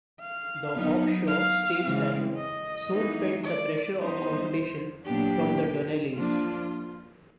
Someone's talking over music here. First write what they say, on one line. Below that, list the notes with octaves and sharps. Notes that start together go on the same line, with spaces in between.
The Hawkshaw stage line soon felt the pressure of competition from the Donnellys.
F5
F#3 B3 D#4
F5
C#3 E3 G#3 C4
D#5
E3 G#3 B3 D#4
D5
E3 G3 B3 D#4 C5
A#2 F#3 B3 D4 G4
F3 A#3 D4 F4